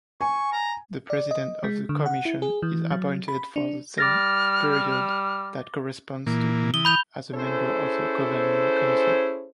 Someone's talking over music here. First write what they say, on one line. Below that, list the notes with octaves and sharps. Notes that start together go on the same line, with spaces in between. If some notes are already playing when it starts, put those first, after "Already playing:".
The president of the Comission is appointed for the same period that corresponds to him as a member of the Government Council.
G#5 C#6
A#5
D5
D#5
G#3
D3
F#5
E4
G#4
E3
F#3
B5
D4
G3 D6 F6 A6 A#6
A#2 E3 A#3
E3 D#6 G7
B5 G6 F7
C#4 E4 G#4 A4 C5